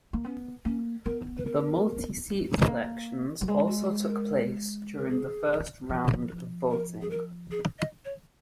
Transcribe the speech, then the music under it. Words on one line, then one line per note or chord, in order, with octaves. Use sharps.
The multi-seat elections also took place during the first round of voting.
A#3
B3 C#4
A#3 C#4
B3 A#4
B4
A#4
G#3
A#3
F#3
G#3 G#4
F#4
F#4
G#4
A#4
A#4
G#4
F3
A#4
G#4
A#4
G#4
D#5
C#5